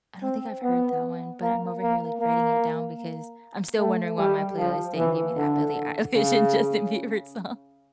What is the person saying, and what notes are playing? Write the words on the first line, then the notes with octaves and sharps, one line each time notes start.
I don't think I've heard that one, but I'm over here, like, writing it down, because I'm still wondering why my playlist didn't give me that Billie Eilish and Justin Bieber song.
C4
B3
A#3
A#3
A#3
A3
G3
F3
E3
D3
C#3